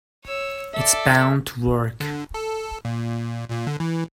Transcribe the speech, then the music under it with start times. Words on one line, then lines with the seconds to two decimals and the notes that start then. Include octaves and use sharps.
It's bound to work.
0.24 C#5 E6
0.74 A4 D5 E5
2.00 D3
2.34 A4
2.85 A#2
3.50 A#2
3.67 D3
3.80 E3